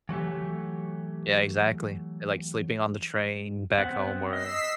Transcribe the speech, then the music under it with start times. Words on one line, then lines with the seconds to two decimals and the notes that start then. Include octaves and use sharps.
Yeah, exactly, it like sleeping on the train back home or
0.09 E3 F#3 A3 G4
3.78 B3 C4 F#5
4.33 D#5 E6 B6 C7